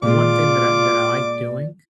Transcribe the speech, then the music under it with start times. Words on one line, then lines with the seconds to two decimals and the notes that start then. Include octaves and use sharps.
the one thing that I that I like doing
0.03 A#2 G#3 F4 D5 D6